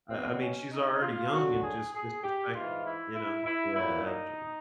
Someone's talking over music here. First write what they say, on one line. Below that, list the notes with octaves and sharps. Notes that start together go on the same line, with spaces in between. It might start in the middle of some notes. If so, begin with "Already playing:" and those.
I I mean, she's already young and just disrespecting you know yeah, absolutely.
B2 F#3 C4
C#4
D#4
F4
F#2 D3 F#3 F#4
G#4
G#4
G4
G#2 E3 F4
E4
E4
E4
A#2 F#3 E4
D#4